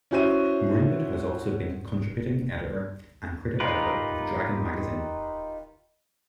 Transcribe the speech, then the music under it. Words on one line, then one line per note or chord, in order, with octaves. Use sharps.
Greenwood has also been contributing editor and creative editor of "Dragon" magazine.
C#4 E4 F#4 C5 E5 D#7
D#4 F4 G4 A#4 B4